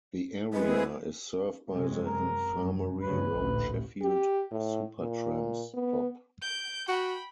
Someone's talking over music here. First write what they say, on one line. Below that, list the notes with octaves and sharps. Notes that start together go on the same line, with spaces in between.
The area is served by the Infirmary Road Sheffield Supertram stop.
G#3 C4 E4 G#4 B4
F#2 C3 G#3
A#4
F1 F#2
D2 G2 C#3 B4
A1 D2 A#2
G4
A2
A#2
B3
G6 D7
F#4 G5 B5